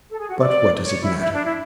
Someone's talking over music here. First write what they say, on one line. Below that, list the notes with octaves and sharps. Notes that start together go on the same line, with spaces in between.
But what does it matter?
A4
G#4
F#4
D5
C#5
E4
E4
D4
E4